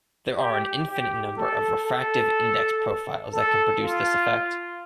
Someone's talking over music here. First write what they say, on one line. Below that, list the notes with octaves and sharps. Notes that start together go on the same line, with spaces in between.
There are an infinite number of refractive-index profiles that can produce this effect.
G4
G4
A4
A4
A4
F4